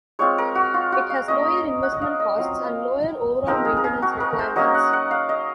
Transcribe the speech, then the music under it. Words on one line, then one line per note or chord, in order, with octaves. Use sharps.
It has lower investment costs, and lower overall maintenance requirements.
G#3 C4 F4 C#5
A#4
F#4
F4
F#4
F5
A#3 C#4 F4 D#5
F#5
D#5
F5
D#5
F#3 C4 F4 F5
F5
F3 G#3 C4 D#4 A#4
G#4
A#4
G#4
F#4
A#4
C5
F#3 A#3 C#4 D#5
F#5
F#5
F5
D#5